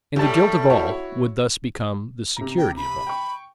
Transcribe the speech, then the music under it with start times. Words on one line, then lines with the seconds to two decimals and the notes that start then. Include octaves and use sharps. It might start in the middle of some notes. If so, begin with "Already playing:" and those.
And the guilt of all would thus become the security of all.
0.16 A2 G3 G4 A5
0.70 E4 F#4 C#5
2.37 C3 A#5
2.58 G5
2.77 B5
3.07 G5 C#6